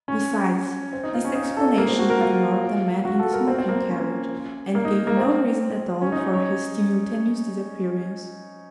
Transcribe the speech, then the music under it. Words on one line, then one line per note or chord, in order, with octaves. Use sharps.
Besides, this explanation ignored the man in the smoking carriage, and gave no reason at all for his simultaneous disappearance.
C#4
C4
D#4
F4
C#4
D#4
A4
A#3
C4
F#4
A#4
F4
F#4
A4
A#4
C4
C4
A#3
C4
C#4
A#3
D#4
A#3
C4
C#4
D#4
C#5